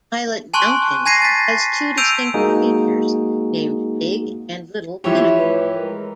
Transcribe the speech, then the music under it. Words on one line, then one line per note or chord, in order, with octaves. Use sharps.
Pilot Mountain has two distinctive features, named Big and Little Pinnacle.
G#5 A5 C6 C#6 F#6
G#5 A5 G#6 A#6 C7 D#7
A6 B6
E6 G6 D7 D#7 F7
G#3 A#3 D#4 F#4 G#4
E3 F3 E4 G4 C#5 E5
A2 B4
G#3 A#4